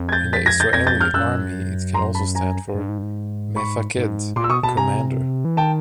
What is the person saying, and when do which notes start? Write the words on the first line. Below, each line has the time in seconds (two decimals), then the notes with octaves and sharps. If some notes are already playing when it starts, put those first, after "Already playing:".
In the Israeli army it can also stand for "mefaked", commander.
Already playing: F2
0.09 G#6
0.12 G6 A6
0.33 A6 B6
0.46 G#6 A#6
0.60 G6 A6
0.73 F2 G#6 A#6
0.87 G6 A6
1.01 F6 G6
1.14 F#2 E6 F#6
1.94 A#5 C6
2.15 A5 B5
2.35 G#5 A#5
2.75 G2
2.89 G#2
2.98 G2
3.02 G#2
3.56 B5 C#6
3.97 G#2
4.36 A#2 C6 D6
4.44 E6
4.50 B2 C#6 D#6
4.63 B2 A5 B5
4.77 C3 G#5 A#5
5.45 E3
5.57 D#3 G5 A5